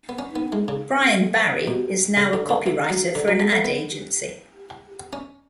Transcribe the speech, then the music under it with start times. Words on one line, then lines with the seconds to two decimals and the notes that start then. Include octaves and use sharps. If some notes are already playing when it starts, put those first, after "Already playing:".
Brian Barry is now a copywriter for an ad agency.
0.09 B3
0.19 C#4
0.36 B3
0.52 G#3
0.68 C#3
1.67 B2
2.17 C#3
2.33 D3
2.49 D3
2.66 E3
2.90 F#3
3.15 D3
3.28 F#3
3.40 G#3
3.52 A3
3.65 B3
5.13 C#4